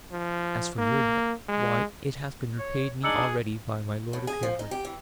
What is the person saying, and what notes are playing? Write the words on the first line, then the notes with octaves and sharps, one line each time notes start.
As for your debt, why, it hath been repaid me already by my lord of Hereford.
F3
A#3
G#3
C#5
D4 D#4 G#4 E6 C#7 F#7
A2
G#4
F3
D#4
G4
E3